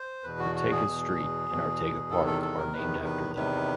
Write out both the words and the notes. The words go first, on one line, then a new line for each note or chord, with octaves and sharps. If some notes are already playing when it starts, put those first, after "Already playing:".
Arteaga Street and Arteaga Park are named after them.
Already playing: C5
E2 B2 B4
F#4
F#4
G#4
E2 B2
E2 B2
E2 C3 D#3 A4
A4
A4
A#4
E2 C3 D#3 B4
B4
E2 C3 D#3 B4